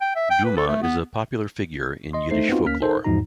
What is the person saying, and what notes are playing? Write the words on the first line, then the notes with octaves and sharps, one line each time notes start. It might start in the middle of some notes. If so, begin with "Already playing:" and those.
Dumah is a popular figure in Yiddish folklore.
G5
E5
G5
B4
A4
A3
B3
D#5 C6
A3 D#4 C5 C7
B3 C4 D#4 F4 F#4
D2 A#3 C#4 F6 B6
D#4 A4 A#4 C5
E2 G#2 F3 D#4 F#4 A#5